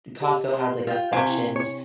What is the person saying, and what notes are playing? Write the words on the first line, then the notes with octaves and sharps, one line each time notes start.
The Costco has, like, a sectioned
G4 D#5 A5
C6
F4 G5
C3 D4 C5 F5 G#5 C#6
E4 G5
C#5